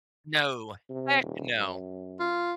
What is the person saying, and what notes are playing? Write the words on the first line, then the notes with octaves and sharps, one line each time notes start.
No. Heck no.
C3
D#1
F#2
F4